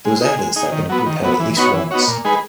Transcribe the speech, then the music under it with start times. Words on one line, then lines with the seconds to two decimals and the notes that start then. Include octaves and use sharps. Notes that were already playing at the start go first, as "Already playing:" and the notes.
There was evidence that it had been repaired at least once.
0.05 G#3
0.21 D#4 G#4
0.39 G#3
0.56 D#4 G#4
0.72 D#3
0.89 F#3 B3
1.06 D#3
1.23 F#3 B3
1.40 E3
1.57 B3 D#4 F#4 C#5
1.73 E3
1.91 B3 D#4 F#4 C#5
2.08 A#2
2.25 G#3 D#4 G#4 B4